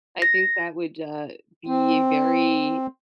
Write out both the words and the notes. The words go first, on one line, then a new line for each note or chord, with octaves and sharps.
I think that would, uh, be very
A#6
C4